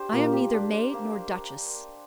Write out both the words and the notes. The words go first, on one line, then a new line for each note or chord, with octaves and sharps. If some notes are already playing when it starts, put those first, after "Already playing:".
I am neither maid nor duchess.
Already playing: D4 G4 C5
A#2 A#3
G4
D4
C5
A#3